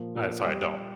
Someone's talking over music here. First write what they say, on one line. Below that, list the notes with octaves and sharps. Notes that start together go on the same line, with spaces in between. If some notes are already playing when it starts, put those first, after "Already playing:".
Alright, sorry, I don't.
Already playing: A#2 F3 A#3
A#2 F3 A#3
G3